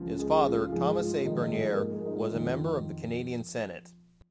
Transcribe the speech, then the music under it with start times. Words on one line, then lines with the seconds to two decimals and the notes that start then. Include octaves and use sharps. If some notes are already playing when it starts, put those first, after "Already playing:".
His father, Thomas A. Bernier, was a member of the Canadian Senate.
Already playing: C#2 C#3 F3
0.19 G#3 G#4
0.46 F3 F4
0.62 F4
0.72 G#2 F3 G#3 G#4
0.99 F3 F4
1.25 D#3 D#4
1.52 G#2 F3 G#3 G#4
1.72 A#3 A#4
1.92 G#3 G#4
2.06 D#4
2.12 F3 F4
2.31 F2 D#3